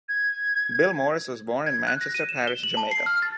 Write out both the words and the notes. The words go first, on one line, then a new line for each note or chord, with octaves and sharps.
Bill Morris was born in Manchester Parish, Jamaica.
G#6
G#6
F#6
A#6
D#7
E7
G7
F#7
A5
C7
F6
A6